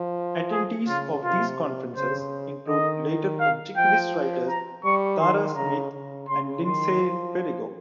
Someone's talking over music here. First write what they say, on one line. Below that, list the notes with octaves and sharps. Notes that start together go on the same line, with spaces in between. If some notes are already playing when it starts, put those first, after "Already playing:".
Attendees of these conferences include later Objectivist writers Tara Smith and Lindsay Perigo.
Already playing: F3
G#4
C#3 F4
C3 F4
C#3 C5
D#3 D#5
F5
F3 G5
A#5
G3 C#6
D#3 C6
C#3 A#5
C#3
C#3 C6
D#3 C6
F3